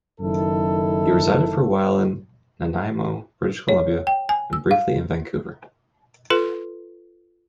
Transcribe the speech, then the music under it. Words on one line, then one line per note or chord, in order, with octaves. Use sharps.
He resided for a while in Nanaimo, British Columbia, and briefly in Vancouver.
F#1 F#2 D#3 E4 A4
C#5
G5
G#5
E6
F5
F4 A4 B4